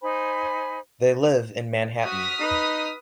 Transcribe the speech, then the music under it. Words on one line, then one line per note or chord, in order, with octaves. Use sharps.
They live in Manhattan.
D#4 C5 G#5 B5
F#4 D#6 F6 B6
D#4 B4